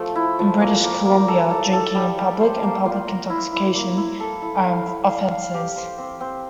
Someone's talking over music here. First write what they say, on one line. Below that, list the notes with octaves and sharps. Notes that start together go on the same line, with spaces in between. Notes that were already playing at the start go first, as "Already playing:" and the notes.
In British Columbia, drinking in public and public intoxication are offenses.
Already playing: F3 A3 C4
E4
F3
A#3
A#3
A#3
A4
A4
A4
G3
G3
C5
A#3
F4
A#4
E4
E4
A#3
E4
A4
E4
F5
E4
F5
F5
G4
C5
C4
C4